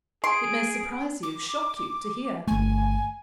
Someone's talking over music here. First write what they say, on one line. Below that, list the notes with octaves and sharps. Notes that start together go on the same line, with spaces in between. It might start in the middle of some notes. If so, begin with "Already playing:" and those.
It may surprise you, shock you to hear.
G#4 C6 D7
D6
G1 A3 G#5